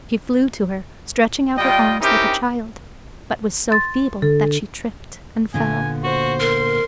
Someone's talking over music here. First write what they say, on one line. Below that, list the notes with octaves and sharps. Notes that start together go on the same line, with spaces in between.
She flew to her, stretching out her arms like a child, but was so feeble that she tripped and fell.
G3 F4 D#5 G5
C4 C#4 D#4 E4 G4 A#4
C6 A6
D3 A4
A#2 D3 B3 G#5
F#4 C5
A#4 C6